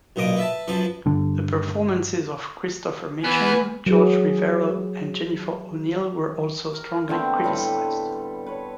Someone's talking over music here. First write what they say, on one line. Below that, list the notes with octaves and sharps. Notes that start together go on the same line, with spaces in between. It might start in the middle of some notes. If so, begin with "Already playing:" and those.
The performances of Christopher Mitchum, Jorge Rivero and Jennifer O'Neill were also strongly criticized.
B1 A#2 D3 D#5 D6
B4 E5 A5
F#2 F3 B4 A5
G2 D3
E3 B3 B4 G#5
F#3 G#4
A#4
D3 A3 B3 C4
A2 G3 A4 B4
B4 C#5